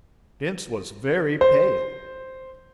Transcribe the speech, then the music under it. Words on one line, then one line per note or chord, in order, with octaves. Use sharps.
Bince was very pale.
C5